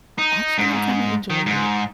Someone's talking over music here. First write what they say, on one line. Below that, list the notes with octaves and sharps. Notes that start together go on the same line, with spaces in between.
actually, I kinda enjoyed it,
D#4
G#2
D#3
G#2